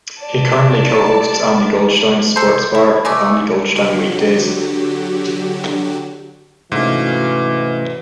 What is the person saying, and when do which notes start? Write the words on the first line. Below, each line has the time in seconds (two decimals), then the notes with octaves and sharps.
He currently co-hosts Andy Goldstein's Sports Bar with Andy Goldstein weekdays.
0.20 D5 A5
2.36 A4 C5
2.75 E4
3.05 G#3 A3 D5
3.75 D3 F#3 F#4 G4
6.72 G#2 C3 E3 A3 C#4 F#4 F5